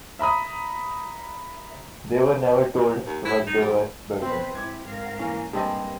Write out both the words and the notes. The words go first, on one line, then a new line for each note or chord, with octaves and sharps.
They were never told what they were building.
E5 A#5 B5 D#6
D#2
E4
D#4
G3
B2 C4 B4 C5
G#2 E4 D6 G#6
G#2 A#4 F5
E3 A#3 C#4
G2 G#3 A#3 C4 G4 G#4 D#5 A5